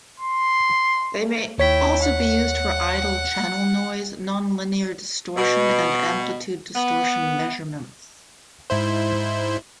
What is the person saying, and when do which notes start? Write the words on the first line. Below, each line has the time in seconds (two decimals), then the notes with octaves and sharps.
They may also be used for idle channel noise, nonlinear distortion, and amplitude-distortion measurements.
0.20 C6
1.58 D#2 E4 C#5 G5 B6
2.01 F#5
5.36 B2
6.75 B3
8.70 G#2 E4 C5